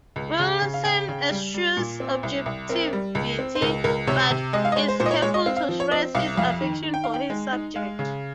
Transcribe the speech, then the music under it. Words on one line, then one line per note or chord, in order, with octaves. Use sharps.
Wilson eschews objectivity, but is careful to stress his affection for his subject.
C#2
C#3
C#3
F5
C#3 G5
C#3
G3
G3
A#2
C4
C2
C2
C4 A#4
G3
C#2
C4
C5
C#2 A#4
C#2 A#4
C3 C#5
C3
G#3 D#5
F5
D#5
G#3 C#5
C5
A#2 C5
D#5
C#5
G#3 C#5
D#5
C4 F5
F5
F3
C#5
C4 D#5
C2 F5
F2 F5
D#3
D#3
G5
D#3 F5
G5
G#3
D#4
G#3 F5
C#3